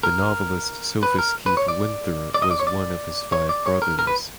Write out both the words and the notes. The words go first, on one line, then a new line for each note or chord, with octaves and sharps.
The novelist Sophus Keith Winther was one of his five brothers.
A#4
B4
A#4
B4
C#5
D5
D5
D#5
D5
C#5
D5
C#5
D5
C#5
A#4
A#4
B4